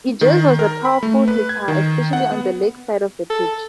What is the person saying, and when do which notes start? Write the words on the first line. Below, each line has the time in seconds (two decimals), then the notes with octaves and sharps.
Ijaz was a powerful hitter, especially on the leg side of the pitch.
0.21 D#3
0.59 A#4
0.85 B5
1.03 A3
1.28 B4
1.49 G#6
1.68 D#3
2.13 F#5
2.32 B3
3.30 A4